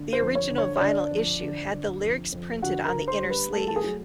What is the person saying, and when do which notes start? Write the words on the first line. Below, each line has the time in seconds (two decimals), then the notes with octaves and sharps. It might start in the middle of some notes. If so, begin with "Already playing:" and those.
The original vinyl issue had the lyrics printed on the inner sleeve.
Already playing: D3
0.13 C5
0.20 F2
0.35 C#5
0.50 D3
0.58 C#5
0.76 C#5
0.81 D3 D4 D5
1.11 F2
1.41 D3
1.71 D3
2.01 F2
2.32 F2
2.62 D3 F#4 F#5
2.85 A#4 A#5
2.93 D3
3.08 C5 C6
3.23 G3
3.30 B4 B5
3.53 A3 A4 A5
3.68 A5
3.76 G#4 G#5
3.84 F#3